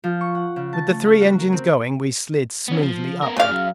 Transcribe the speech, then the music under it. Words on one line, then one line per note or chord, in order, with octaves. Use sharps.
With the three engines going, we slid smoothly upward.
F3
C#6
F#5
C#3
A5
A3
C#4
F#4
A#4
C4
B3 C#4
F3
B3 A#4
A2 C#3 D5 F5
F#2 F#3